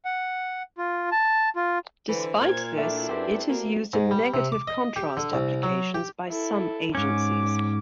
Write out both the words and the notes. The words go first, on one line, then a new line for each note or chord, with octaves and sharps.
Despite this, it is used in negative-contrast applications by some agencies.
F#5
F4
A5
F4
D3 E3 C5
A#2 G#6
A3 D4 E4 F4
F#2 C4 G4 B4
A#3 F#4
G#2
G3
C3
D6
D#5
G4
D3
C2
F#3
G4
E4 A4
G#2 C#4 D6